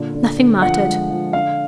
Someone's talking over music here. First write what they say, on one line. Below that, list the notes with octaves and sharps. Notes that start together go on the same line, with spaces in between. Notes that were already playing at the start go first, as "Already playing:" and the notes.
Nothing mattered!
Already playing: A#2 D3
D3
D3
F3 F#5
G#3
F3
D3 F5